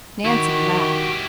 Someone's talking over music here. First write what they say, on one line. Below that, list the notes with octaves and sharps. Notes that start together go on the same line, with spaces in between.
Nancy laughed.
D#3 E4 F#4 G4 C#6